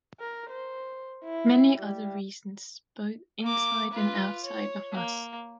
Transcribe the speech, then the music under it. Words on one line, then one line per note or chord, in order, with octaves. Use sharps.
Many other reasons both inside and outside of us.
A#4
C5
E4
G3
A#3 D6
F4 B4
C#5
A#3